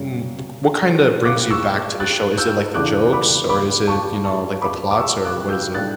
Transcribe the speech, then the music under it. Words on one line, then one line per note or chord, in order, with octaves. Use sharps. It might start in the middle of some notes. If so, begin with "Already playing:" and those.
m w what kinda brings you back to the show? Is it like the jokes or is it, you know, like the plots or what is it?
Already playing: F#2 C#3 G3 C#4
D6 F#6
C#6 E6
F#6 A6
E6 G6
E2 C#3 E3 A3 D4 D6 F#6
B5 D6
B5 D6
A5 C#6
A5 C#6
B5 D6
D6
C#6 E6
D6 F#6
E6 G6
A2 G3 D4 F#6 A6